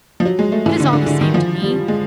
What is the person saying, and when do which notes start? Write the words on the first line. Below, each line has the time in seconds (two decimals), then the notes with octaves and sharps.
It is all the same to me.
0.20 F3
0.25 F#3
0.39 G#3
0.52 A3
0.66 E3
0.80 D3
0.93 D3
1.06 D3
1.21 D#3
1.34 F3
1.62 G3
1.88 G#3